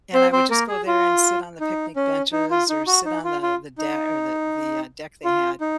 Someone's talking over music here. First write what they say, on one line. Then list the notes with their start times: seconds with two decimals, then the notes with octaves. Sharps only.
and I would just go there and sit on the picnic benches or sit on the the deck or the the, uh, deck they had
0.14 C4 C5
0.32 C4 C5
0.51 A#3 A#4
0.68 G#4
0.87 F4
1.60 D#4
1.96 C#4
2.33 D#4
2.51 F4
2.70 D#4
2.87 F#4
3.05 D#4
3.25 F4
3.42 F4
3.78 D#4
5.25 F4
5.61 D#4